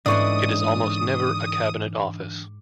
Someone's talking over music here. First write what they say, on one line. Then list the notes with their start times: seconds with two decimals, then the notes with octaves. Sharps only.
It is almost never a Cabinet office.
0.06 G#2 D3 E3 C#4 D5 C#6 D#6